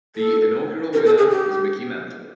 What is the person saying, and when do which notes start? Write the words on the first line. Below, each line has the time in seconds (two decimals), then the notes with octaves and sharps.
The inaugural winner was Mickey Mantle.
0.16 A4
0.93 A#4
1.05 A4
1.18 G#4
1.31 G4